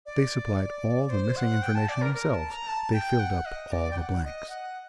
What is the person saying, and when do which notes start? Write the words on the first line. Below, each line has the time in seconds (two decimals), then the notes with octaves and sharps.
They supplied all the missing information themselves, they filled up all the blanks.
0.06 D5
1.10 C5
1.36 F#5
1.62 G5
1.75 A5
1.89 D5
2.02 A#4
2.15 A#4
2.32 A5
2.50 A#5
2.67 A5
2.93 G5
3.20 F#5
3.46 D#5
3.72 D5
3.91 G5
3.97 F#5
4.24 D#5
4.50 F#5